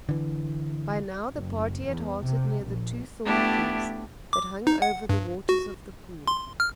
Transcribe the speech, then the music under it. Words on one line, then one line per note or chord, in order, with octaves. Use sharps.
By now the party had halted near the two thorn trees that hung over the waters of the pool.
D3 E3
F#1
E2
C3
A#1
A3 B3 D4 E4 G4
D6
D#4
F#5
G2
F#4
C6
F6